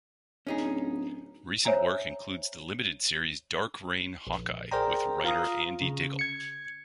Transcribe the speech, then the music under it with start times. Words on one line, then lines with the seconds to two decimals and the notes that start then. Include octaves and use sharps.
Recent work includes the limited series "Dark Reign: Hawkeye", with writer Andy Diggle.
0.47 D1 C#4 D#4 G#4
1.65 C5 C#5 E5 G#5 A#5
4.27 A#1
4.71 G#4 A#4 C5 D5 G5 A#5
5.24 F4 F5 A#5 D#6
5.82 C#3
6.19 G#6 C#7